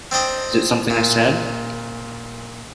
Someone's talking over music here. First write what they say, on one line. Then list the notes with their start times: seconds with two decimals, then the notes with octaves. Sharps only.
Is it something I said?
0.11 C4 D4 D#5 G5
0.90 A#2